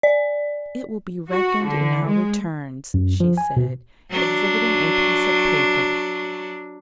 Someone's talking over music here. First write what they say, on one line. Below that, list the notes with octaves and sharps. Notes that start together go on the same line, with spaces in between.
It will be reckoned in our returns,' she said, exhibiting a piece of paper.
D5
F#4
D3
G#3
F#2
F3
G#5
B2
F#3 D4